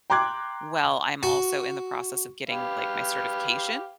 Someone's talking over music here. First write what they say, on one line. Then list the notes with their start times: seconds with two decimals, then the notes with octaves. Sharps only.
well. I'm, also, in the process of getting, like, my certification
0.10 G5 A#5 C6 D6 F#6 G#6
1.23 F#4
2.49 G4 B4 F5